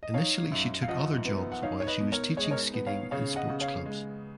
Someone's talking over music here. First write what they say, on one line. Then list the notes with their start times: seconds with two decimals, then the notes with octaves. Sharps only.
Initially she took other jobs while she was teaching skating in sports clubs.
0.03 D#5
0.14 D#4 C#5 F5
0.52 F#2
0.82 F5
0.88 F3 D#5 F#5
1.25 B3
1.52 F#5
1.62 D#4 C#5 F5
1.80 C#5
1.87 B4 D#5
2.00 B2
2.12 A#4 C#5
2.37 G#3 C#5
2.44 D#5
2.51 A#4 C#5
2.74 B3
2.87 C#5 F5
3.11 C#3 C#5 F5
3.36 D#5 F#5
3.49 C#3
3.61 C#5 F5
3.86 G#3